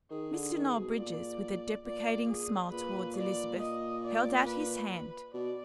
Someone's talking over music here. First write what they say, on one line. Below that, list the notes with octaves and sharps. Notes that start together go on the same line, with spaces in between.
Mr. Noel Bridges, with a deprecating smile towards Elizabeth, held out his hand.
D#3 G#4
D3
D#3
B2
A#2 D5
A#2 D5
G#4
A#2 B4
D5
D#5
D5
B4
B4
B2 D5